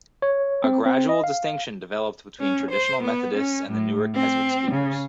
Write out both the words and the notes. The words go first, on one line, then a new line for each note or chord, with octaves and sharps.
A gradual distinction developed between traditional Methodists and the newer Keswick speakers.
C#5
C4
C4
D#5
F5
C#4
C5
B3
C#4
A2
C4
C#3